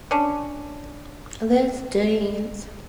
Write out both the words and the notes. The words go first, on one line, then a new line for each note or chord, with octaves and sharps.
Let's dance.
C#4 D4